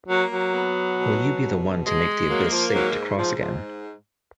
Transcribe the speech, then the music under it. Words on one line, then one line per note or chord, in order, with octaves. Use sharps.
Will you be the one to make the Abyss safe to cross again.
F#3 A#3
F#3
B3
B2
B2
G#3
F#3 A#3
F3
G#2 F#3
G#2 F3
F3